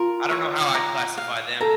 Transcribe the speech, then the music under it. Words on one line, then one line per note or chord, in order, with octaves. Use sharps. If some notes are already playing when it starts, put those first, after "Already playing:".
I don't know how I'd classify them.
Already playing: F4 A#4
C#5
A#5
F5
A4 A#5